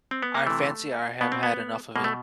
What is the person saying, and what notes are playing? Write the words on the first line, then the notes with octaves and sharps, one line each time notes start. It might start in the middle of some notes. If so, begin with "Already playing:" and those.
I fancy I have had enough of it.
C4
B3
A#3
C3 E3 A3
B2 B3
C4
B3
B2 A#3
A3